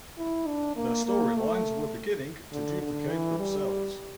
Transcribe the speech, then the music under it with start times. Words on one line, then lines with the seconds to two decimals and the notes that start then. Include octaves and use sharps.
The storylines were beginning to duplicate themselves.
0.18 E4
0.47 D4
0.77 A#3
1.06 A#3
1.36 A3
2.53 D3
2.82 D3
3.10 E3
3.40 G3